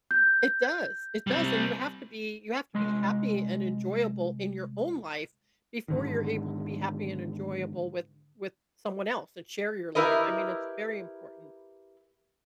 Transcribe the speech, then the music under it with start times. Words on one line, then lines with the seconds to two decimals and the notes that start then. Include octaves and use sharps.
It does. It does, and you have to be you have to be happy and enjoyable in your own life before you're able to be happy and enjoyable with with someone else and share your life. I mean, it's very important.
0.11 G6
1.27 G3 C4
2.74 C2 G#3 D#5 C6
5.88 G#2 D3 D#3
9.95 E4 G4 A#4 B4 D#5